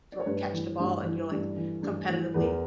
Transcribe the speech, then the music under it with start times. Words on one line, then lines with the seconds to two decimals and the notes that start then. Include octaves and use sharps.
thr catch the ball, and you're, like, competitively
0.12 D5
0.20 C#5
0.26 G2 B4
0.53 E3
0.79 G2
1.04 E3
1.31 G2
1.56 E3
1.82 G2
2.09 E3
2.34 E2 B4
2.43 A#4